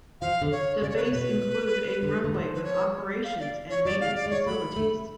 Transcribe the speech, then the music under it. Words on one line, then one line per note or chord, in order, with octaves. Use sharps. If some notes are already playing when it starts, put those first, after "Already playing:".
The base includes a runway with operations and maintenance facilities.
F3 F5
D3
C#5
C#3 D5
C#5
B4
C#5
B2 B4
D3
D3
F3
B4
C#5
F5
D5
C#5
F#3 D5
G#3 F5
D5
G#3
C#5
A3 B5
A3